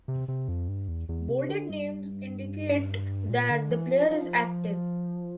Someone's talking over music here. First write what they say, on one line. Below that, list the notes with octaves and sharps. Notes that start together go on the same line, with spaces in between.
Bolded names indicate that the player is active.
C3
C3
F2
G2
E2
E2
C3
D3
G2
A#2
D3
E3
F3
F3